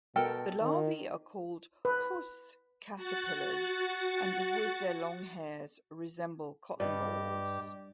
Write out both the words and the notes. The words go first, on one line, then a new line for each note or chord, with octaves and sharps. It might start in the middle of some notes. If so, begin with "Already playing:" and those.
The larvae are called puss caterpillars, and with their long hairs, resemble cotton balls.
B2 A4 A#4 G5
D#3
B4
F#4 F#5 A6
G2 G4 D5 D#5